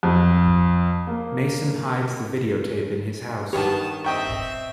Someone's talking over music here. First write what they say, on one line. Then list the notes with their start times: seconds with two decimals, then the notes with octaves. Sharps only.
Mason hides the videotape in his house.
0.03 F2
1.07 A#3
3.53 G2 D#3 B3 G4 C#5 A5
4.05 C4 D#5 E5 G5 C#6